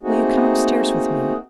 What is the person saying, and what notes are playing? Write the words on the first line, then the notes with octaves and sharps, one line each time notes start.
Will you come upstairs with me?
A3 A#3 C4 D#4 F#4 G#4